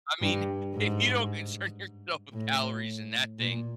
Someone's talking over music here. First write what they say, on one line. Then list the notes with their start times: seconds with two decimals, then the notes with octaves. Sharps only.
I mean, if you don't concern yourself with calories in that thing,
0.22 G2
0.75 G#2
2.33 A2
3.39 A#2